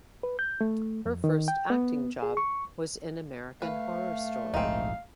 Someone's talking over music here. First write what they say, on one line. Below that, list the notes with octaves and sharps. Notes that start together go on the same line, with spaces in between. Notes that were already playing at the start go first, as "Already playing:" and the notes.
Her first acting job was in "American Horror Story".
B4
G6
A3
F2
D#3
G5
B3
G#4
C#6
A3 B4 F5
D#1 A#1 G#2 C4 D#4 F5